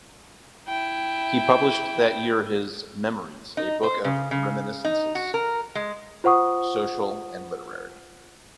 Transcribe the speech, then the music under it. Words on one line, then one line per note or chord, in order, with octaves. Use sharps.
He published that year his "Memories", a book of reminiscences, social and literary.
E4 G5
D#4
C5
C#3
C#3
D#4
F#4
A#4
G#3
F4 C5 F#5 C#6 D#6